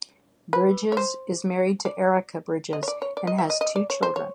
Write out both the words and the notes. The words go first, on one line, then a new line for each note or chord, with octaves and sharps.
Bridges is married to Erica Bridges and has two children.
B4
C#5
C5
D5
D#5
C#5
D5
C#5
D5
D#5
E5
D#5
D#5
D5
C#5
C5
C#5